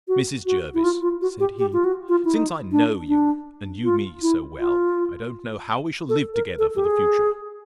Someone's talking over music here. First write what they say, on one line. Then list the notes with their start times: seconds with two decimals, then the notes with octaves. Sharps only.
Mrs. Jervis, said he, since I know you, and you me so well, I don't know how we shall live together for the future.
0.08 F#4
0.46 F#4
0.74 E4
0.84 F4
1.02 F4
1.22 F#4
1.40 G4
1.59 G4
1.73 F4
1.84 F#4
2.09 F4
2.25 E4
2.34 D#4
2.72 D4
3.08 D4
3.84 F4
4.22 E4
4.59 F4
6.09 A4
6.34 A#4
6.59 A4
6.76 G4
6.85 G#4